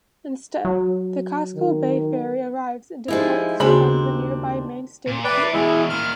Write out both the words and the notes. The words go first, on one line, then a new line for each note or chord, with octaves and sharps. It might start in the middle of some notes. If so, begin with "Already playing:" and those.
Instead, the Casco Bay Ferry arrives and departs from the nearby Maine State Pier.
F#3
D#3
F3 G#3 D#4 E4 G4
D#2 C#3 G#3 C4 D4 F#4 C5 B5
A#2
B4 D5 E5 G5
E2 B2 G#3 E4
A#2 D#3 F6